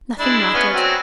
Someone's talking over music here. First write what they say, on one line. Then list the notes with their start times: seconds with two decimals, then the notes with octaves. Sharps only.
Nothing mattered!
0.19 G#3 D4 E4
0.54 B3 C#4
0.74 F#3 C4